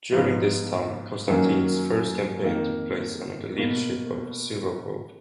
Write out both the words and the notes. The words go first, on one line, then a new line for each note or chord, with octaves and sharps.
During this time, Konstantin's first campaign took place under the leadership of Suvorov.
G#2 F3 B3 F4
F#2 D#3 F#3 A#3 C#4
F2 D#3 A#3
B2 A#3